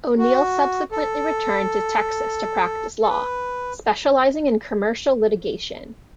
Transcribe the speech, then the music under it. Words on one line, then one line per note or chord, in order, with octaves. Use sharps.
O'Neill subsequently returned to Texas to practice law, specializing in commercial litigation.
F#4
A4
A4
B4